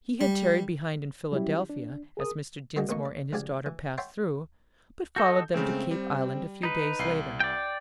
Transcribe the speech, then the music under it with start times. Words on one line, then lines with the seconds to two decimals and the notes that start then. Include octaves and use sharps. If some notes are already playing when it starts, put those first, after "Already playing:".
He had tarried behind in Philadelphia, as Mr. Dinsmore and his daughter passed through, but followed them to Cape Island a few days later.
0.21 G3
1.32 F#3 G3 C#4 E4 G4
1.70 D4
2.17 G#4 A#4 D#6
2.76 G3 A#3 F#4 G#4 D5 D#5
2.89 A1 B2 A#3 D#4 C#6
3.05 D5
3.33 C#2 F3 G4 G#4 D5 G#5
3.66 E3
3.98 C#5 E5 F#5 G5 A5 C6
5.16 F#4 A4 D#5 G6
5.54 C#3 G#3 A3 C4
5.91 G3
6.63 D#4 B4
6.99 C2 C7
7.40 D5 G5